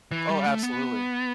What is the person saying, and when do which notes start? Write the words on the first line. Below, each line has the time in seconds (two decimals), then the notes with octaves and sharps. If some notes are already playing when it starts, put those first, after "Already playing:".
Oh, absolutely.
0.12 E3
0.29 G3
0.46 A3
0.63 B3